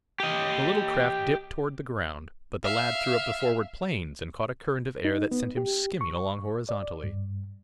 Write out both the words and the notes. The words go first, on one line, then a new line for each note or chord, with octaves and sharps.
The little craft dipped toward the ground, but the lad threw up the forward planes, and caught a current of air that sent him skimming along horizontally.
G4 D#5
E5 F5
D#4
B3
G4
C#6
D5
G2